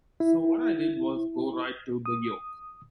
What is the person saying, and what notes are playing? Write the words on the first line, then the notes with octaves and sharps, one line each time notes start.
So what I did was go right to the 'yoke'.
E4
D#6